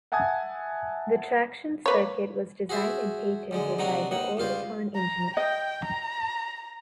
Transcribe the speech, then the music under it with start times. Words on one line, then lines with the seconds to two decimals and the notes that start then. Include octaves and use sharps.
The traction circuit was designed and patented by the Oerlikon engineers.
0.12 E5 F#5 G#5 A5 D#6 G#6
1.86 A#3 B4 C#5
2.69 F#4 G#4 C5 E5
3.51 F#2 D3 G#3
3.79 C3 D#3 F#3 D4 F#4
4.11 D#2 D#3 F#5
4.37 C#2 G2 F4 C5
4.95 A#5
5.37 D#5 G5
5.85 A#5